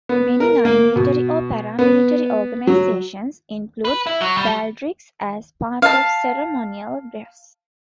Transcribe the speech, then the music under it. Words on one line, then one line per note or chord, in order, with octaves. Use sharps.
Many non-military or paramilitary organisations include baldrics as part of ceremonial dress.
B3
A#4
A#3
B2
B3
F#3
B4
E4
F#3
G3
F5 A5